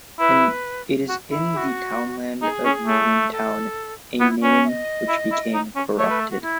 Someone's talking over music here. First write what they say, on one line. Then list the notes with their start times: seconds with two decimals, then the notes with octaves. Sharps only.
It is in the townland of Monintown, a name which became corrupted.
0.19 E4 B4
1.09 F#4
1.31 E4
1.53 G#4
1.57 F#4
2.42 D#4 G#4
2.65 C#4
2.87 A3
3.31 A4
4.19 B3 E4
4.42 C#4 B4
4.64 E5
4.69 D#5
5.08 E4
5.31 E4
5.54 D#4
5.75 C#4
5.98 A3 C#5
6.09 B4
6.20 A4
6.30 F#4
6.42 E4